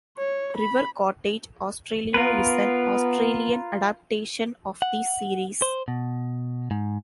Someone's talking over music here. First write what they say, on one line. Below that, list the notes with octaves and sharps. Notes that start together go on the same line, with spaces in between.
River Cottage Australia is an Australian adaptation of the series.
C#5
B5
B3 F4 A#4 B4
F#5
C5
B2
G#2